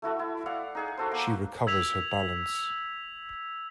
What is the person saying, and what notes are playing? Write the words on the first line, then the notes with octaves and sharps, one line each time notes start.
She recovers her balance.
A3 E4 F#4 A4
E4
D5 F5 F#5
D#4 G#4 F#5
F#4 A4 C5
A#3 D6
E6 G#6 B6 F7